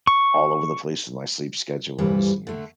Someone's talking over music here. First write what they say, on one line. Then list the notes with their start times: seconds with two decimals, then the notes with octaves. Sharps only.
All over the place with my sleep schedules and
0.07 C#6
1.98 D2 G2 E3 G3 B4
2.47 D3 A3